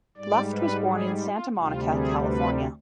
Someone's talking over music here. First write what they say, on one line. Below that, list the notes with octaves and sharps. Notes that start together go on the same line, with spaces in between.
Luft was born in Santa Monica, California.
G#2 G3 D5
B4
G#4
F4
D2 C3 G3 F4
G#4
B4